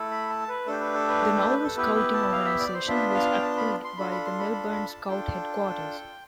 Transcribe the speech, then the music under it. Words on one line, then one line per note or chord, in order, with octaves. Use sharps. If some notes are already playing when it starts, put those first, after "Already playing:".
The Nauru Scouting organisation was approved by the Melbourne Scout Headquarters.
Already playing: A3 E4 A4
B5
A5
B4
A3 D4 G4 A4
B4
A4
B4
A4
B4
B4
A4
B3 E4 G4 B4
B4
A5
F5
E5
D5
C5
B3 D4 F4 E5
E5
F5
G5
A5
B5
C6
D4 F4 A4 B5
B5
C6
B5
B5
B5
A5
D4 F4 A4 G5